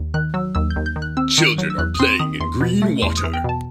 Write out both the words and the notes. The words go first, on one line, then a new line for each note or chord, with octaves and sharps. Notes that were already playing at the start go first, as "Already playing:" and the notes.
Children are playing in green water.
Already playing: D#2
D#3 F#6
F#3 E6
D#2 E6
G6
D#2
G6
D#3
F#6
C4 E6
D#3
F#3
E6
E2 F#6
D#6
C4 C6
D#3 D#6
E2 C6
B2
A3
E2 C6
D#6
E2
G5
B2 A5